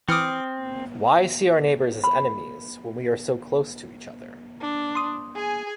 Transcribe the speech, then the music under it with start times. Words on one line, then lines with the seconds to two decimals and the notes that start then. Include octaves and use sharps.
Why see our neighbors as enemies when we are so close to each other?
0.09 E3 C4 D6 D#6 F6 C#7
2.04 B5
4.61 D4
4.95 C6 D#6
5.35 G#4 G#5